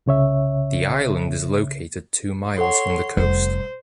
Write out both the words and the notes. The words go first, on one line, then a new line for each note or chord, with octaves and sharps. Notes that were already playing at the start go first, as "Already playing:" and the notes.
The island is located two miles from the coast.
C2 C#3 C#5 E5
A4 C#5 F#5 C6
F1 G3 C5